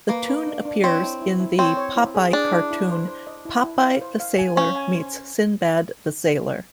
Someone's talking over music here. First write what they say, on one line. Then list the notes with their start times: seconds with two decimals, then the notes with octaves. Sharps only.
The tune appears in the "Popeye" cartoon "Popeye the Sailor Meets Sindbad the Sailor".
0.09 A#3 B4
0.28 B4
0.47 D4
0.65 D4
0.84 C4 C#5
1.03 E4
1.22 E4
1.40 E4
1.59 C4 C#5
1.77 C#5
1.96 E4
2.15 G#4
2.33 D4 G#4
2.52 E4
2.71 E4
2.90 C5
3.08 C5
3.27 D#5
3.45 E4
3.64 E4
3.82 F5
4.01 C5
4.20 F5
4.39 G#5
4.57 C#4 F5
4.76 G#5
4.94 C5